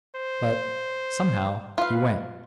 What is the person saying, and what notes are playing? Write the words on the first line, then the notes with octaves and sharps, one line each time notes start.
But, somehow, he went.
C5
F4 B4 F5